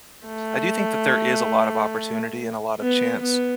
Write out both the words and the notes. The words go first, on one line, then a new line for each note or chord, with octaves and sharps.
I do think that there is a lot of opportunity and a lot of chance,
A3
B3
B3